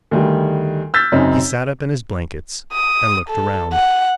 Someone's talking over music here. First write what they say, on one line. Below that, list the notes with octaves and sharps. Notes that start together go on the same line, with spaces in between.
He sat up in his blankets and looked around.
D2 D#3 G3
E6 F6 G6 A6 B6
F#2 C#3 C4 D#4
D#6
A4
F#5